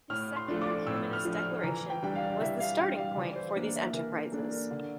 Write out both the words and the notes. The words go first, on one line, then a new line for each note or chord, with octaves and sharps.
His Secular Humanist Declaration was the starting point for these enterprises.
A2 F6
C6
F3 A3 D4
D6
A2 E6
F6
F3 A3 D4
F6
E3 A#5
G5
G3 D4 G5
F5
E3 E5
F5
G3 D4 G5
F5
E3 D5
C5
A#3 D4 D5
E5
E3 A#4
A#4
A#3 D4 A4
A#4
D3